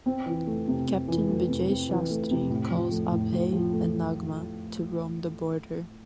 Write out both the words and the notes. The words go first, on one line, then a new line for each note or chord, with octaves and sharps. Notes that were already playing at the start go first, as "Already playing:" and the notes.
Captain Vijay Shastri calls Abhay and Nagma to roam the border.
C4
E3
A3
C3
C4
E3
A3
C3
C4
E3
A3
C3
A2
F3
A3
A2
A2
F3
A3